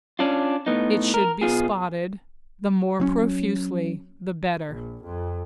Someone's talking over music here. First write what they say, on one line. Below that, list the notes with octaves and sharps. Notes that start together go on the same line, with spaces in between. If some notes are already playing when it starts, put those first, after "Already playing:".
It should be spotted, the more profusely the better.
C#4 D4 F4
A2 B3 D#4
A#4
B2 B3 C#4 F4 G#4
F#3 C4 C#4
A#1
F2